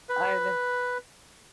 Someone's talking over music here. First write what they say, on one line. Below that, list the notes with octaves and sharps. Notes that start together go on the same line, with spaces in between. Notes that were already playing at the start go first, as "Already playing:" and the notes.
I know.
B4